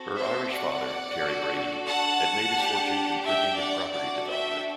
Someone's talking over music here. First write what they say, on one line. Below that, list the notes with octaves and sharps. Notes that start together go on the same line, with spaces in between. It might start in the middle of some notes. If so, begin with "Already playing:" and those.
Her Irish father, Terry Brady, had made his fortune in printing and property development.
Already playing: C4 F#4 A4
C5 E5
D5 F#5
D4 F#4 A4
F#5 A5
D4 G4
E5 G5
D5 F#5
D4 F#4 A4 D5 F#5
E5 G5